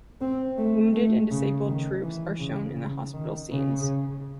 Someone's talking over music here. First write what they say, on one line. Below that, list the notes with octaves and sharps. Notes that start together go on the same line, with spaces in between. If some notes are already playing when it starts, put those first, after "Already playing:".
Wounded and disabled troops are shown in the hospital scenes.
C4
A3
A3
C#3
D#3
E3
C#3
C#3
D#3
C#3